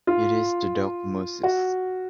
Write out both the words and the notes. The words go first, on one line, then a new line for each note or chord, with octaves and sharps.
It is the dog Moses.
F4
F#4